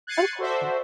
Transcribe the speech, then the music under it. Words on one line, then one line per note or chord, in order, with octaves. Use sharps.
Oh, core.
F#6 G#6 A6 C7 C#7 D#7
F#4 A4 C5 D5 E5